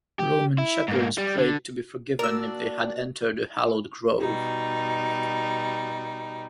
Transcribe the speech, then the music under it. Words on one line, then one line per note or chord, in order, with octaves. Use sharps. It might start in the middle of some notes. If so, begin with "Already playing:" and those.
Roman shepherds prayed to be forgiven if they had entered a hallowed grove.
G4
E4
G#2 A#3
G3
D3
A#3 D4 F#4 A#4 E6
B2 G3 D#4